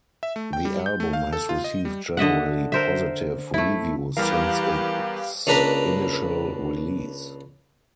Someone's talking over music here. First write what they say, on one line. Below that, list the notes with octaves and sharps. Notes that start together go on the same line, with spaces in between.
The album has received generally positive reviews since its initial release.
E5
A3
G5
G3
G6
A3
F5
A4
F4
D#5
G3
D3 D#5 E5 F#5
A#4 C5 E5
A3 E4
E2 E3 G3 G4 A#4 B4 F5
C#2 A#3 D4 B4 A#5 B5